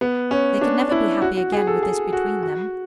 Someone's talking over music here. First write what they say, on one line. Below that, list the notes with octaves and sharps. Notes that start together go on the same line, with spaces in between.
They could never be happy again with this between them.
B3
C#4
D4
E4
F#4
F#4
G#4
A4
G#4
F#4
F#4